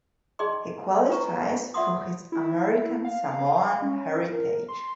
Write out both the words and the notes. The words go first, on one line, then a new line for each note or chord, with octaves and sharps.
He qualifies through his American Samoan heritage.
D#4 G#4 D5 D#5 G5 C6
F4 B4 A#5 C#6
F4 D5 E5 F#5 C6 D#6
E4
F5
C#4
A#4
C6